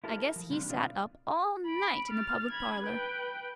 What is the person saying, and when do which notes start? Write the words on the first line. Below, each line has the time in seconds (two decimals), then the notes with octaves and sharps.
I guess he sat up all night in the public parlor.
0.04 E4 G4 A4 A#4 E5
0.36 F3
0.50 C#3 G3 A#3 C4 D4
0.69 B1 D3 B3 F4 D5 F5
1.66 B5 D7
2.11 F6 A6
2.51 B5 G#6
2.82 B4 G5